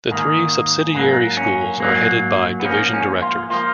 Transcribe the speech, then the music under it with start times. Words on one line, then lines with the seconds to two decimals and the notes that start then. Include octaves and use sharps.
The three subsidiary schools are headed by Division Directors.
0.10 G#2 D#3 A#3
0.95 G#2 F#3 A#3
1.37 C#4
1.80 G#2 F#3 A#3
2.60 B3
2.65 G#2 F3 A#3 C#4
2.94 C#4
3.22 F4
3.50 F3 A#3 F4